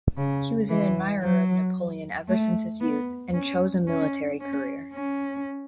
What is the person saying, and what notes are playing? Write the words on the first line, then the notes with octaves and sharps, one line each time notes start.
He was an admirer of Napoleon ever since his youth and chose a military career.
C#3
E3
F#3
A3
B3
C#4
C#4
C#4
C#4